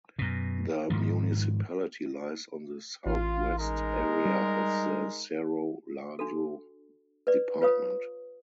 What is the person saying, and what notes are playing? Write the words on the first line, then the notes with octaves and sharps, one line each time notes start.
The municipality lies on the southwest area of the Cerro Largo Department.
F#2 B2
G#2 D#3 F3
A1 F4
G#3 D#4 A#4
G3
D4 F#4 A4
B4 D5
F4 B4 C#5 F5 D#6